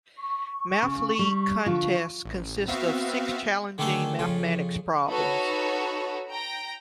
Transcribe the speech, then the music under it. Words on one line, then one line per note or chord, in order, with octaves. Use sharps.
Math League contests consist of six challenging mathematics problems.
C#6
C#3
G3
D3 F3 F4
A1
B3 C4 F#4 E5 F5
D3 D#3 A3 A#3 G#4 A4
F2 C#3 F4
D#4 F#4 A4 B4 C#5
G5 A#5